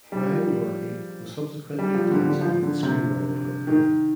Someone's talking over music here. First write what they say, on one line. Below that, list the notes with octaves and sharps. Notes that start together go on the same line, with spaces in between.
Brian Yorkey was subsequently attached as the screenwriter for the film.
G3
F3
G3
F3
D3
D3
F3
D3
C3
D#3